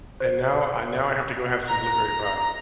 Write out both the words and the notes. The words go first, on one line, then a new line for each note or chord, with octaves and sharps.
And now, I now, I have to go have some blueberry pie.
C5
A#5